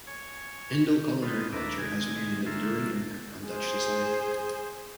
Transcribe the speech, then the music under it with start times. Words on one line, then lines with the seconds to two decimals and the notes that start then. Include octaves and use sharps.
Indo culinary culture has made an enduring impact on Dutch society.
0.07 C#5 G#5
0.86 G5
1.22 G3 B3 C4 D#4 F4 A4
1.52 D#2 D4 A#4 B4 E5 D6
1.78 C3 D#3 G#3 G#5
2.46 D3 A#3 F4 A4 E5 C6
3.47 G#4 C5